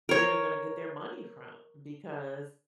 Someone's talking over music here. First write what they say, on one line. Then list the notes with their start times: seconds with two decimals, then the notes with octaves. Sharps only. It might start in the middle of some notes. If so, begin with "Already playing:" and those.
where they're gonna get their money from, because
0.09 A#4 C#5